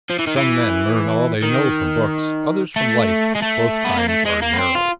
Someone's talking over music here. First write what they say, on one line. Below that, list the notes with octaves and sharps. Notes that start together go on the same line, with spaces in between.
Some men learn all they know from books; others from life; both kinds are narrow.
F3
E3
D#3
E3
D#3
A3
G#3
A3
B3
A#3
A3
G#3
A#3
B3
C4
F4